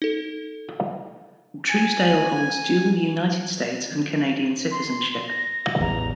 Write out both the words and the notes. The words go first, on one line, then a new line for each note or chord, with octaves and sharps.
Truesdale holds dual United States and Canadian citizenship.
D#4 A4
G#5
C6
A#6
A1 E2 A#5